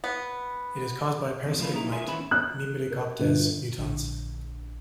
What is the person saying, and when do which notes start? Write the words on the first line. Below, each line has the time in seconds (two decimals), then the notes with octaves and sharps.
It is caused by a parasitic mite, "Knemidocoptes mutans".
0.04 B3
1.44 E2 C3 D#3
1.59 F3 A3 C#4 F4 A4 B4
1.72 B1 A#3 D#4 E4 A#4 A#5
1.92 A3 F4 G#4 C5 E5 G#5
2.07 D#3 E3 B3 C#4 E5 B5
2.31 F#6
2.90 A#4
3.19 G1
3.78 A#1 D3